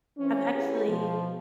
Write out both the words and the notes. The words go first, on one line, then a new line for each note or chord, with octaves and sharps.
I've actually
E3 C4 C#4
B3 E4 G4 G#4 C#5
B2 F3